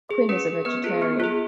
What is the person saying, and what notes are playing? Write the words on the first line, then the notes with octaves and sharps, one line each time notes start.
Quinn is a vegetarian.
G#4
C#4 B4
G#4
B3 B4
F4 G#4
B3
F4 G#4